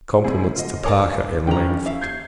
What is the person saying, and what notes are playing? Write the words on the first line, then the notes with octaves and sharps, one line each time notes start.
Compliments to Parker and Langford.
A2 C3 G3 G#4
D3 F4 D#5
G2 D4 A#4 C#5 D5 G#5 D6
G2 D#3 E3 C#4 G5 A#5
E4 E5 F5
D#2 G6 G#6 C7